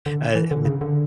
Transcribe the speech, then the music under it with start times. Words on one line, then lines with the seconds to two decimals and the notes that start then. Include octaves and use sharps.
uh, with
0.06 D3
0.35 E3
0.51 D3
0.65 C#3
0.81 D3